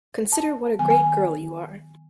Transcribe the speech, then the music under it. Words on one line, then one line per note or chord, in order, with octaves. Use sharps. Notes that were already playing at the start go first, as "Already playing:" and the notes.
Consider what a great girl you are.
A5
D#3 F#3 B3 G#5
G#5